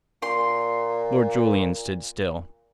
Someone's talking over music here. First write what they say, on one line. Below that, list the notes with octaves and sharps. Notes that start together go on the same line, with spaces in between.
Lord Julian stood still.
A#2 C6